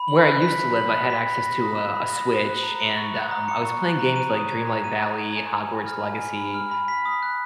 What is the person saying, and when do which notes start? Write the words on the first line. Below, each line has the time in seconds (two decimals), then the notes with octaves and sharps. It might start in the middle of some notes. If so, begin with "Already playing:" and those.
where I used to live, I had access to a a Switch, and, um, I was playing games like Dreamlight Valley, Hogwarts Legacy,
Already playing: B5
0.08 F#7
0.25 F#6
0.42 B6
0.59 B5
0.76 F#7
0.93 F#6
1.10 B6
1.27 B5
1.45 A#6
1.62 D#6
1.78 F#6
1.95 B5
2.12 A#6
2.29 D#6
2.46 F#6
2.63 A#5
2.80 C#7
2.97 C#6
3.14 F#6
3.31 A#5
3.48 C#7
3.65 C#6
3.82 F#6
3.99 A#5
4.16 D#7
4.33 D#6
4.51 G#6
4.67 A#5
4.84 D#7
5.01 D#6
5.18 G#6
5.36 G#5
5.52 G#5
5.70 B5
5.86 F6
6.03 G#5
6.20 G#5
6.37 B5
6.54 F6
6.71 B5
6.88 B6
7.06 D#6
7.23 F#6